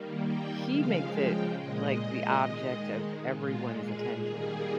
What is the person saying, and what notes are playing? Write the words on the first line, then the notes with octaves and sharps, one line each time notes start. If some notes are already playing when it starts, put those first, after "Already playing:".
He makes it, like, the object of everyone's attention.
Already playing: D#3 G3 A#3
G5
C#3 F3 G#3 F5
G5
A#2 G#3 D#5
D#3 G#3
A#2 G#3 F4
G#4
D#3 G3 A#3 G#4